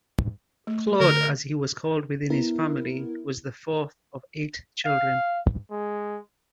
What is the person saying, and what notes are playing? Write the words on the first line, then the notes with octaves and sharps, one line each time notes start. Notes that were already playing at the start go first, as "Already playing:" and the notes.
Claude, as he was called within his family, was the fourth of eight children.
A3
D3 A#4
B3 E4 A#4
F5
G#3